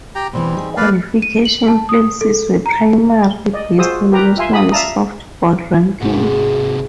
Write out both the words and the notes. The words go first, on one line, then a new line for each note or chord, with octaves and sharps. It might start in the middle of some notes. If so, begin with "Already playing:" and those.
Qualification places were primarily based on national softball ranking.
G4 G5 A#5
B2 D3 E3 G3 C4
D#4 G#4
A#3 B4 D5 F5
D#7
F#7
A5
D#6
A4
A#5
D5 D#5
F4 F#4 G#4 C5 D#6 E6
G4 A#4 B4 G5 A#5
F4 E5 F5 G#5 C6
G4 B5 D#6
D5 E5 F5 A5 A#5 D#6
G#1 C3 F#4